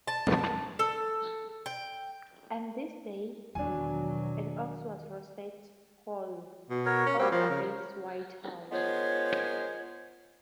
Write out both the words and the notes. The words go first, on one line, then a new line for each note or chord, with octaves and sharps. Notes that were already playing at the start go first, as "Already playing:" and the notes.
And this day an ox was roasted whole, over against Whitehall.
A5
A4
G5
E2 B2 D#3 F#3 D4 G#5
B2
F#4 A#4 C#5
C#4
G3 A#3 C4 F#4
F3 A#4
C#3
D#3 G#3 B3 F4 C5 C#5